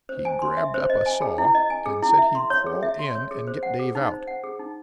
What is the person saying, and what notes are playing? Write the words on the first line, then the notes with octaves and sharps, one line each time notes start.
He grabbed up a saw, and said he'd crawl in and get Dave out.
C5
G#5
C6
E5
C5
D#5
G#5
G#4
E4
D#5
G#5
G#4
E4
E5
C6
C#5
G#4
E5
C6
C#5
G#4
C5
F#5
G#4
D#4
C5
F#5
G#4
D#4